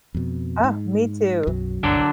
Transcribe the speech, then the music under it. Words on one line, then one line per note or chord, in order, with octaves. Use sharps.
Uh, me too.
F2 B2
G#2
B1 F#2 F#3
F#1 C2 G2 D3 F#3 D4